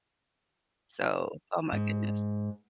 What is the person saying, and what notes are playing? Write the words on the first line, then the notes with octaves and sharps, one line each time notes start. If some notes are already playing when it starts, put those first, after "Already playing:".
So Oh my goodness.
G#2